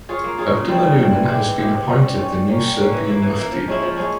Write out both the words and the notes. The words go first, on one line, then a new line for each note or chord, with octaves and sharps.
Abdullah Numan has been appointed the new Serbian mufti.
F4 G#4 C#5
A#3
F4 G#4 C#5
C#3
G3 C4 E4
C#3
G3 C4 E4
E3
G#3 E4 G4
E3
G#3 E4 G4
C3
G3 C#4
C3
G3 C#4
G3
A#3 C#4
G3
A#3 C#4
E3
A#3 E4
E3
A#3 E4
F3
G#3 C#4 E4
F3
G#3 C#4 E4